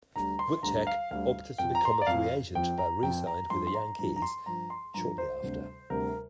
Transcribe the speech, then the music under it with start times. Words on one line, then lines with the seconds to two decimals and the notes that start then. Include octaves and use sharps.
Bootcheck opted to become a free agent, but re-signed with the Yankees shortly after.
0.16 D2 D3 G3 A#5
0.39 C6
0.63 D2 D3 G3 A#5
0.87 F5
1.11 D2 D3 G3 F5
1.58 F2 F3 G5
1.75 A#5
1.85 C6
1.91 A#5
2.02 D5
2.07 F2 F3 F5
2.55 F2 F3 G5
2.78 A#5
3.03 F2 F3 G5
3.27 A#5
3.50 G2 F3 C6
3.67 C6
3.75 A#5
3.99 G2 F3 A#5
4.16 A#5
4.22 C6
4.46 G2 F3 A#5
4.70 C6
4.94 G2 F3 A#5
5.18 C5
5.42 D2 C3 G3
5.90 D2 C3 G3 A#4